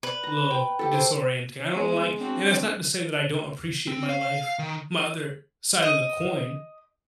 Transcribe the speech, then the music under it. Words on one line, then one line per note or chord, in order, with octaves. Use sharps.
li'l disorienting. I don't like" and that's not to say that I don't appreciate my life, my other side of the coin.
B4
A#5
G5
G4 A4
C5 C6 D6
G#3 B3
C4 D4 F#4
C4
F5
D#3
D#5